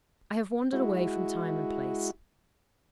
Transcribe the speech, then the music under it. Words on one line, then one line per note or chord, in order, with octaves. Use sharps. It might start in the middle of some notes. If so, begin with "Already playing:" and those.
I have wandered away from time and place.
G#3 E4 F#4